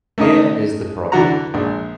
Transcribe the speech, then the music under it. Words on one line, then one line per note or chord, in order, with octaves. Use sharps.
Here is the problem.
A3 C#4 D#4 A#4 D#5
D3 E3 D4 F#4 F#5 A#5
A#1 G#3 D4